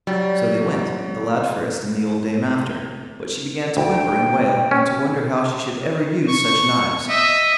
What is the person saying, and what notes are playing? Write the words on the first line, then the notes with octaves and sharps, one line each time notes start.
So they went, the lad first and the old dame after, but she began to whimper and wail, and to wonder how she should ever use such knives.
F#3 G3
D2 G5
C#4
C#6
D#5 E5